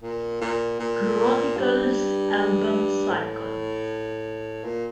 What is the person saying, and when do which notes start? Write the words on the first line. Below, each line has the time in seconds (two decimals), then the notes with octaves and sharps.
Chronicles album cycle.
0.03 A#2
0.41 A#2
0.80 A#2
1.57 G2
3.10 A2
4.64 A#2